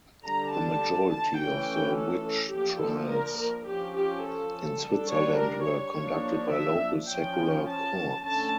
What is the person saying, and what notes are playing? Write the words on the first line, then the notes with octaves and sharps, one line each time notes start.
The majority of the witch trials in Switzerland were conducted by local secular courts.
D3 G3 D4 A#5
A5
A5
E3 A3 C#4 G5
A4
F3 A#3 D4 G4
A4
A#4
A#4
F3 C#4 G4
G4
A4
G3 D4
C#5
A#4
C#5
F3 A#3 D4
E5
F3 C#4 G5
A5
D3 A3 C#4 A5